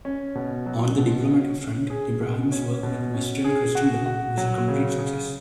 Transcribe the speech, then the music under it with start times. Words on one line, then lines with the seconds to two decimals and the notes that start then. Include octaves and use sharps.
On the diplomatic front, Ibrahim's work with Western Christendom was a complete success.
0.05 C#4
0.35 B2
0.66 F#3
0.98 B2
1.29 C#4
1.59 C#4
1.90 G#4
2.21 B2
2.52 C#4
2.83 B2
3.14 C#4
3.44 G#4
3.75 F#4
4.06 F#4
4.37 F#3
4.68 C#3
4.99 C#3